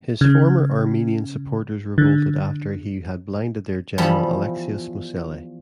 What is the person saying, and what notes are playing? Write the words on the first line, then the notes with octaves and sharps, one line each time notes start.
His former Armenian supporters revolted after he had blinded their general Alexios Mosele.
C#3
D3
E2 F3 G3 B5